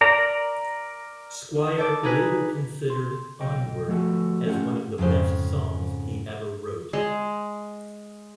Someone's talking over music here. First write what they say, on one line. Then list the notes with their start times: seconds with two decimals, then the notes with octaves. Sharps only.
Squire later considered "Onward" as one of the best songs he ever wrote.
0.01 A#4 D5 A#5
1.78 A4 D5
2.03 D#4 G#4 B4
2.90 C6
3.41 B1 D#5 G5
3.88 F3 A3 F#4 G#4 A4
4.46 A3 C#4 F4 G4 B4 F#5
4.98 F2 G#2 C#3 C5
6.93 G#3